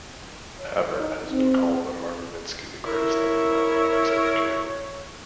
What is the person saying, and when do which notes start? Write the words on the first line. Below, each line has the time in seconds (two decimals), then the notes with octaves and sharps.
Papert has been called by Marvin Minsky "the greatest living mathematics educator".
0.60 C#5
0.98 D#4
1.31 C4
2.86 E4 A#4 C#5